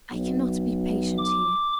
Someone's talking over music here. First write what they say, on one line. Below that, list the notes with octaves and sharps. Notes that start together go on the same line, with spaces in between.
I cannot be patient here.
B1
D6